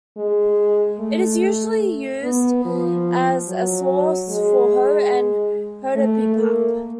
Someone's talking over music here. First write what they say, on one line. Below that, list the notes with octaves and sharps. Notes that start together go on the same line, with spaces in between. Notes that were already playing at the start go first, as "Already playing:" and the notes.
It is usually used as a sauce for "hoe" and "hoedeopbap".
G#3
A3
B3
F3
F#3
G#3
A3
A#3